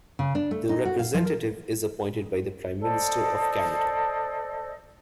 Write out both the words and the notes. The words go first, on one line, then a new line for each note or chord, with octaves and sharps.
The representative is appointed by the Prime Minister of Canada.
C#3
D4
A3
D#4
F#4
F5
F3
A#4
A4 C5 D5 D#5